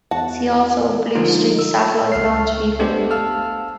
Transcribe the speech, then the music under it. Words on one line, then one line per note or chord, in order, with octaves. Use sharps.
See also Blue Streak Satellite Launch Vehicle.
E2 F#4 F#5 A5
D3 F3 G#3 D#4 F4
E6
C#2 F6 C7
A3 B3 D4 G4 A4 C5
F5 A5 E6 F6